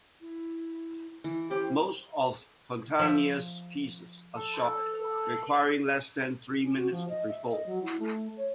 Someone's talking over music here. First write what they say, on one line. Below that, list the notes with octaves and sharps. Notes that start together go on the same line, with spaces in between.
Most of Fontanelli's pieces are short, requiring less than three minutes to perform.
E4
E3
C#4 G4 C5
F3 E5
A4
C#4
F#4
F3
D#5
E5
D#5
F#3
E4
A3
C#5